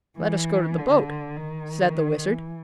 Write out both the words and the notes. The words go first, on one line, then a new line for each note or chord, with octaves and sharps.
"Let us go to the boat," said the Wizard.
E3
D3
D#3
E3